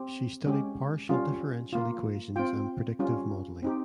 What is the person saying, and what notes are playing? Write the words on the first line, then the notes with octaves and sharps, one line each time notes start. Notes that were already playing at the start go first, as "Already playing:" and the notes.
She studied partial differential equations and predictive modelling.
Already playing: C4 G4
G#3 C#4 G4
G3 C#4 F4
A#3 F4
C4 F4 G5
G3 C#4 F4
C4 D#4 G4